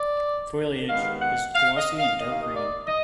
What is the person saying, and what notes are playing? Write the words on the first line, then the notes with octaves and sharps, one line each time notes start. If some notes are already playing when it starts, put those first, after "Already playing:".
Foliage is glossy and dark green.
Already playing: D5
D#2 D#3 G#3 B3 F5
F#5
F5
D#5
F5
D#2 D#3 A#3 D#5
F5
D#5
D5
D#5